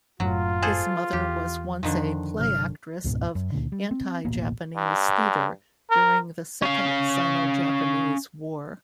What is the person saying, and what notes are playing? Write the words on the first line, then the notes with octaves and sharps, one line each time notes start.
His mother was once a playactress of Anti-Japanese Theatre during the Second Sino-Japanese War.
F#1 F#2 A2 F#3 F4
G#4 A4 C5
E2 G4
F2 D3 D#3 F3
G1 C3 F#3 F6
C#2 G#2 B2
F#2
C#2 A#2 D3
G3
C4
D1 A1 B2 A#3
G2
A#4
C#4 F5